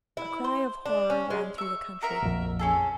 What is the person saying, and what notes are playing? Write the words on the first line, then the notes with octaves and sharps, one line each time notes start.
A cry of horror ran through the country.
E4
C5
D4
C#4
G#3
E5 C#6
F#4 A#4 E5
A#1 F2
C#4 G#4 A4